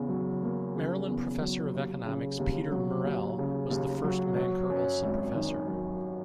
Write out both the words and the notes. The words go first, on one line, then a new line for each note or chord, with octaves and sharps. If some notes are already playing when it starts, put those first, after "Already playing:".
Maryland Professor of Economics Peter Murrell was the first Mancur Olson Professor.
Already playing: E2 C#3
F#3
A#3
C#3
E2
F#3
D#2
C#3
D#2
F#3
D#2
C#3
D#2
F#3
F#3
F#2
G#1
D#3
F#3